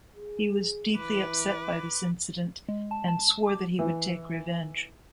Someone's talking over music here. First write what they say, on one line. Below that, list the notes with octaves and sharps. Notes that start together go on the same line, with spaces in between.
He was deeply upset by this incident and swore that he would take revenge.
G#4
E3 B4 D6
G#3
A5
A5
D6
E3